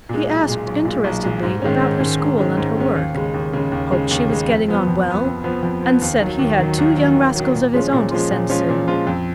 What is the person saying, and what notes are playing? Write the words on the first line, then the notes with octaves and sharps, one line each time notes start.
He asked interestedly about her school and her work, hoped she was getting on well, and said he had two young rascals of his own to send soon.
A#2 G#3
B1
A#2 G#3
B1
A#2 G#3
B1
A#2 G#3
G#2
D#3 G#3 C#4
G#2
D#3 G#3 C#4
G#2
D#3 G#3 C#4
G#2
D#3 G#3 C#4
D#2
C#3 G#3
D#2
C#3 G#3
D#2
C#3 G#3
D#2
C#3 G#3
F2
F3 B3
F2
F3 B3
F2
F3 B3
F2
F3 B3
D#2
D#3 F#3
D#2
D#3 F#3
D#2
D#3 F#3
D#2
D#3 F#3
A#2
F3 G#3 C#4 F4
A#2
F3 G#3 C#4 F4
A#2
F3 G#3 C#4 F4
A#2
F3 G#3 C#4 F4
F2